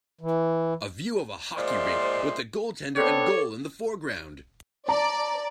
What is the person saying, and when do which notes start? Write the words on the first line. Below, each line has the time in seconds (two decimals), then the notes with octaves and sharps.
A view of a hockey rink with the goaltender and goal in the foreground.
0.21 E3
1.58 A#2 F3 G#3 C5 D5 E5 C6
2.96 B3 C4 D4 A4 C#5 D6
4.88 D5 A5 A#5